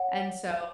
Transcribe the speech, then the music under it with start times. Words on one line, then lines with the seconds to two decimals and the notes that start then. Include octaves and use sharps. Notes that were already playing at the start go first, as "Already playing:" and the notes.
and so,
Already playing: C#5 F#5